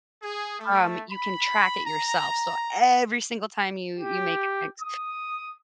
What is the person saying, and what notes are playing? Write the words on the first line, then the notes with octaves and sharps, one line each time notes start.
um, you can track it yourself. So, every single time you you make an ex
G#4
A3
B5
A#5
G4
D#6